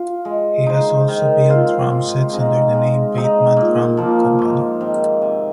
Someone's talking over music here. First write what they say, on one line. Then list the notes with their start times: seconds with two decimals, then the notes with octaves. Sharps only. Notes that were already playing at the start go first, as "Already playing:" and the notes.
He has also built drum sets under the name Bateman Drum Company.
Already playing: F4
0.25 G#3
0.66 D#4 C5
1.08 D#3
1.49 C4 F4
1.90 G#2
2.32 G#3 C4 D#4
2.74 G#3
3.14 C4 D#4
3.57 A#2
3.97 F3 A#3
4.39 G#2
4.81 D#3 C4
5.22 C3